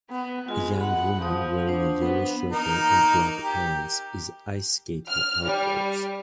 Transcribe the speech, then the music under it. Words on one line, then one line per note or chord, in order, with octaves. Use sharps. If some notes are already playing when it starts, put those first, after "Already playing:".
A young woman wearing a yellow sweater and black pants is ice skating outdoors.
B3
G#3 F4
F#5 B5
F3 D#6
D4 C5
B3
A#3 D#4
G4
F6
G3